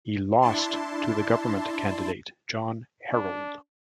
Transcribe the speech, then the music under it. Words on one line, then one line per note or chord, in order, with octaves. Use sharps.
He lost to the Government candidate, John Harold.
D4 E4 A5 C6
D4